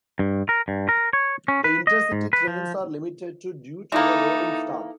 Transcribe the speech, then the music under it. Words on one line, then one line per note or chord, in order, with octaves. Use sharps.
The InterCity trains are limited to due to the rolling stock.
G2
A#4
G2
A#4
C#5
C#4
B4
D#5
G#2
B4
F3
E3 A#3 D#4 A4